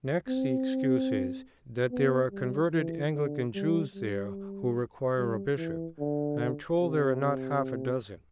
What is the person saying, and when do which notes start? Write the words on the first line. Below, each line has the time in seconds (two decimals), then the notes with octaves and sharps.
Next, the excuse is, that there are converted Anglican Jews there who require a Bishop; I am told there are not half-a-dozen.
0.29 C4
1.91 B3
2.32 G3
2.73 E3
3.14 D3
3.55 G3
3.95 G3
5.18 G3
5.58 E3
5.99 D3
6.81 C3